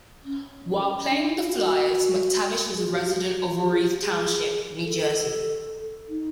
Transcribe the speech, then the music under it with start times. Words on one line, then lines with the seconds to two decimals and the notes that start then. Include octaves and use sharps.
While playing with the Flyers, MacTavish was a resident of Voorhees Township, New Jersey.
0.25 C#4
1.10 D4
1.21 D#4
1.30 E4
1.40 F4
1.50 F#4
2.76 G#4
2.90 G4
2.97 F#4
3.58 G4
3.71 G#4
3.84 G4
4.00 G#4
4.83 A4
6.09 D#4